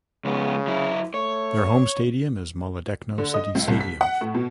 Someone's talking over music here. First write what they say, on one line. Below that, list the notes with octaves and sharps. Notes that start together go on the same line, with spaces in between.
Their home stadium is Molodechno City Stadium.
C#2 C#3 B3
F#3 E4
A3 C#5
D3
D#5
C#2
C2
B6
F#5
A2
B2